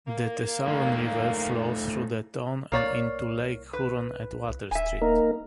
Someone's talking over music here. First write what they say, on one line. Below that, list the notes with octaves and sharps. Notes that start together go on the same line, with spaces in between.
The Thessalon River flows through the town and into Lake Huron at Water Street.
A#3
A3 D#4 F5
C2 A#3 C#5 D5
B4
D#1 E5 G#5
A#3 D#4 A#4